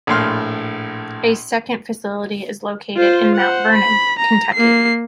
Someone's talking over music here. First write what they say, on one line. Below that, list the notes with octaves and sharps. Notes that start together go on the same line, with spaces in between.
A second facility is located in Mount Vernon, Kentucky.
A#1 A2 C6 F6
F4 C5
C5 F#5
B5
A#5
A#3 C7